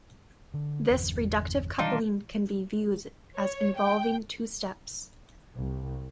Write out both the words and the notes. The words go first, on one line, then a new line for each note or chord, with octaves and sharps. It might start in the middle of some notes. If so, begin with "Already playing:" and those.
This reductive coupling can be viewed as involving two steps.
D3
G1 E2
D#3 E3 G3 D4 D#4 F4
C#5
G5
C2